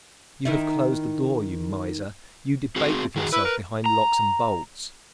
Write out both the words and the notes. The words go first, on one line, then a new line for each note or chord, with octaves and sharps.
You have closed the door, you miser; you debate with yourself behind locks and bolts.
D#3 D#4 E4
C4 F#4 G#4
D#3 F#4 G#4
E4 B4
A#4
A#5